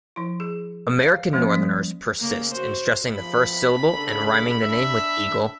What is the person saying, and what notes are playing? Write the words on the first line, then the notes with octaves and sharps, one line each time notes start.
American northerners persist in stressing the first syllable and rhyming the name with 'eagle'.
F3 E4
G#4
F5
F3 G#3 A#3 C#4
F3 G3
C#3 A#3
F#4 C5
F3 B5
C#3 D4 A4
D4 E5